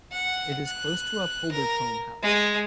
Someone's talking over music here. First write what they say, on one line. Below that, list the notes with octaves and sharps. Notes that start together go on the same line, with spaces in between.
It is close to Appuldurcombe House.
F#5
F#6
A#4
G#3